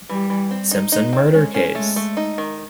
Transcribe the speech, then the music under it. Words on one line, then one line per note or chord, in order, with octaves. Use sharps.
Simpson murder case.
E3 G3
E3
C4
D#4
G#3 D#4
C4
G#3 C#4
C#4
G#3 A3
A3
D#4
D#3